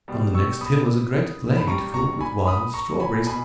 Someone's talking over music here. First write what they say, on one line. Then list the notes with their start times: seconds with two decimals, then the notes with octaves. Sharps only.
On the next hill is a great glade filled with wild strawberries.
0.08 B2 G3
0.34 C#6 E6
0.61 B5 D#6
1.57 B5
1.67 G2 G3 A#5 C#6
1.94 A#5 C#6
2.21 G#5 B5
2.47 B5 D#6
2.74 A#5 C#6
3.00 G#5 B5
3.27 B2 G#5 B5